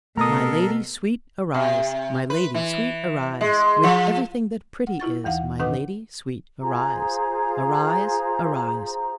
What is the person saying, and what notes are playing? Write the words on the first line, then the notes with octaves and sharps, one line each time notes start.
"My lady sweet, arise! My lady sweet, arise With everything that pretty is, My lady sweet, arise; Arise, arise."
B2 A3 A4 A#4 A#5 D#6
C3
B4
E3
G#3
F3
F#5
E4 F4 C#6 A6
D#2 E3 F5 F#5
A2 D#3 D4 B4 F#5 D#6
F4 G#4 C5 A#5